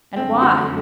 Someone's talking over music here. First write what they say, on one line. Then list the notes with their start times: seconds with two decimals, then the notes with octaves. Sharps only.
And why?
0.16 F#2 D3 F#3 A3 C4
0.42 F#4